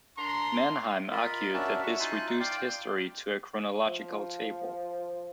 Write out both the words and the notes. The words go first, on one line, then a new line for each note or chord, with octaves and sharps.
Mannheim argued that this reduced history to "a chronological table".
D4 A#4 A#5 C6
F4 A#4 D#5 B5
C#4 D4 F#4 A#4 E5 A5
E5 C#6
D#4 F4 G#5 C6 F#6
D5 F5 G5 C6 D6
F3